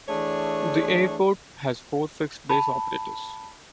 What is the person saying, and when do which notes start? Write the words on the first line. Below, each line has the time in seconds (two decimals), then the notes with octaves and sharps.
The airport has four fixed-base operators.
0.08 E3 A3 D4 G#4 C#5
2.49 A5 B5